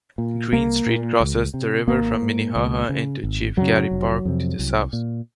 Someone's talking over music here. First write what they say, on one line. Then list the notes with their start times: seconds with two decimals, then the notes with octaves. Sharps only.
Greene Street crosses the river from Minnehaha into Chief Garry Park to the south.
0.18 A#2
0.52 C2 A#3
0.87 A#2
1.20 C#2
1.54 C3
1.88 G#1 A#3
2.22 G#2
2.55 C#2
2.89 C#3
3.23 G#1
3.57 F#2 C#3 F#3
3.91 F1
4.25 F2 C3
4.59 C2
4.93 A#2